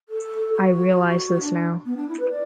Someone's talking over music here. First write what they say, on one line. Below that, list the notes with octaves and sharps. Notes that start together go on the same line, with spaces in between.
I realize this now.
A4
F#4
D4
B3
D4
E4
B4
D5